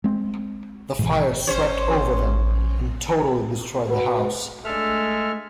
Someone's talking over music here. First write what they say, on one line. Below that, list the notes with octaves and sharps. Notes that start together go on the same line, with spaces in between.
The fire swept over them and totally destroyed the house.
G#3 C4
G#2 B2 E3
C#4 C5 C#5
F#4 B4
G#3 A3 D4 A4 E5 F6